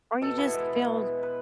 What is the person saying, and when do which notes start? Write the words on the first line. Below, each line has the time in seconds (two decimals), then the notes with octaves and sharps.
Or, you just feel
0.22 B2 A4
0.38 B3 E4
0.54 G#3
0.70 B2
0.86 B2
1.03 B3
1.19 G#3 B4